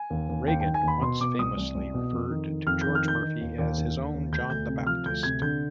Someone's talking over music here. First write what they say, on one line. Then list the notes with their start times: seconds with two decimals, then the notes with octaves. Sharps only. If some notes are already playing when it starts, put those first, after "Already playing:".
Reagan once famously referred to George Murphy as his own "John the Baptist".
Already playing: G#5
0.10 D#2
0.29 D#2
0.47 D#2 G5
0.61 G5
0.66 D#3
0.74 G#5
0.83 D#2 B5
1.02 B2 C6
1.20 B2 D6
1.39 C2 D#6
1.57 C2
1.75 C2
1.94 B2
2.12 F2
2.30 D#3
2.49 D#3
2.66 F2 F6
2.81 D#3 G6
2.95 F6
3.03 D#3 G6
3.22 D#3
3.41 D#2
3.58 D#2
3.78 D#2
3.96 D#2
4.14 D#2
4.32 D2 G6
4.50 D2 G6
4.68 C3
4.87 F3 F6
5.06 D2 G6
5.23 C3 G#6
5.42 D3 G6